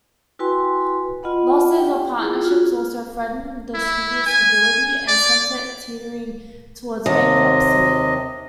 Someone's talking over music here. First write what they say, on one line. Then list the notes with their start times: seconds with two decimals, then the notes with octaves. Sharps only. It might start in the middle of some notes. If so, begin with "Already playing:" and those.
Losses of partnerships also threatened the studio's stability and sent it teetering towards bankruptcy.
0.39 E4 F#4 B4 G5 G#5 C6
1.23 F4 D#5 F#5 B5
1.76 G4 G5
2.18 E4 F4 G#4
2.44 F4 F#4
3.74 E4
4.26 G#5
5.08 D5
7.06 D#2 C3 D#5